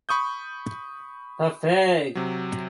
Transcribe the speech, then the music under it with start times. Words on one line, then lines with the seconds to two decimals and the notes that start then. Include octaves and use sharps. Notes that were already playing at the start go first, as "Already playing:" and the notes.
The Fig.
0.09 B5 C#6 D#6 G6
2.15 C3 F#3